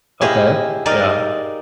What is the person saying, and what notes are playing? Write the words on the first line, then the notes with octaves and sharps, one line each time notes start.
Okay. Yeah.
E4 G4 G#4 D#5 F5
D#4 A#4 D5 D#5 F5